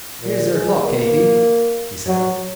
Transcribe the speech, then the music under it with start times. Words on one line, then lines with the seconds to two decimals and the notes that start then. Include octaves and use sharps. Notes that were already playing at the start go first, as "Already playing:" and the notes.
"Here's your clock, Katy," he said.
0.21 A#2
0.52 G#3
0.84 A#3
2.07 F#3